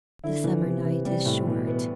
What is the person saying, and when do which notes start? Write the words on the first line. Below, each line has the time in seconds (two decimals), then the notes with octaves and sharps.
The summer night is short.
0.24 D3 E4
0.44 E3
0.64 C3 B3
0.85 E3
1.05 C3 G3
1.25 A2
1.47 B2 E3
1.67 B3